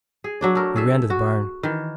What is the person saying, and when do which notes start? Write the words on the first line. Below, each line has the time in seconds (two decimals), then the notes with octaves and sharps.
We ran to the barn.
0.24 G#4
0.41 F#3 D4 D5
0.55 A3 A#4
0.76 G#4 A4 E5
1.10 F#4
1.63 D#3 E3